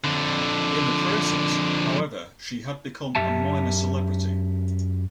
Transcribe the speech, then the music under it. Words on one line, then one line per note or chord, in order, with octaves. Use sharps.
In the process, however, she had become a minor celebrity.
F2 D3
F#2 G4 E5 A5